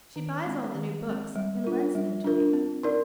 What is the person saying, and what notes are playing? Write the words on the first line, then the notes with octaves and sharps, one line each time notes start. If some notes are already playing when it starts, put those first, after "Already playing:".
She buys all the new books and lends them to me.
D#3
G#3 C4
D#3
G#3 C4
G3
D4 F4 A#4
G3
D4 F4 A#4
C4
D#4 A#4 D5